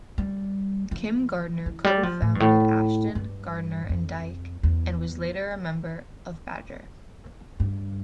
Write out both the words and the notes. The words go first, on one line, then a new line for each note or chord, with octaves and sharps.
Kim Gardner co-formed Ashton, Gardner and Dyke and was later a member of Badger.
G3
F3
E3
G3
F3
A2
G2
A2
G2
F2
E2
G2